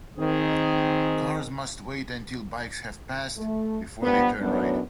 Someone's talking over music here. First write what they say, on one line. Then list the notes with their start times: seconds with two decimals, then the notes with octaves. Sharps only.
Cars must wait until bikes have passed, before they turn right.
0.17 D#3 C4 G#4
3.37 A3
4.02 G2 F3 B3
4.41 F#2 A2 F#3 B3 D4